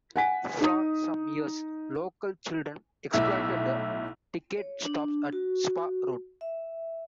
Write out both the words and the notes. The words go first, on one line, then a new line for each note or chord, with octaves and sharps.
For some years local children exploited the ticket stops at Spa Road.
F#5 G#5 B6
D#4 D#6
B1 A2 E5 E6
C#5
D4
F#4
E5